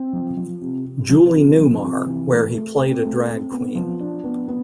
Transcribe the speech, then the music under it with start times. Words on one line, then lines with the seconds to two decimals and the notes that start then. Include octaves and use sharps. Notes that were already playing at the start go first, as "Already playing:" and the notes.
Julie Newmar where he played a drag queen.
Already playing: C4
0.13 F3
0.37 F3
0.61 C3
0.85 C3
1.09 F3
1.34 C3
1.58 F3
1.82 C3
2.06 E3
2.30 A3
2.55 A3
2.79 C4
3.03 A3
3.27 C4
3.52 B3
3.75 F3
4.00 D4
4.24 B3
4.48 B3